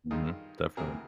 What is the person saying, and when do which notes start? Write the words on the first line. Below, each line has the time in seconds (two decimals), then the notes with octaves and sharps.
Mhm. Definitely.
0.11 G2 D#3 G#3 D#4 F4
0.77 D2 C3 E3 G3 G#4 A#4